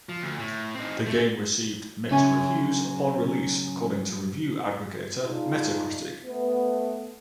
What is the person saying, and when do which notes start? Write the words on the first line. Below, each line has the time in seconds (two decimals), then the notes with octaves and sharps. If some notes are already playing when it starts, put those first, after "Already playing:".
The game received mixed reviews upon release according to review aggregator Metacritic.
0.09 F3
0.22 D2
0.39 A2
0.75 C4 D#4
1.06 A3
2.11 C#3 F#3 C#4 E5 G#5
5.23 G#3 D4 D#4 F4
6.24 A3 B3